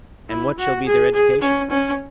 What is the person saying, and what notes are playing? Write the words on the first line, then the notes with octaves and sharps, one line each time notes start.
And what shall be their education?
E4
F#4
G#4
G#4
C#4
C#4